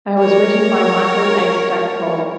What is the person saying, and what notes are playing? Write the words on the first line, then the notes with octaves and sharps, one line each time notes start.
It was written by Michael A. Stackpole.
A#4 C#5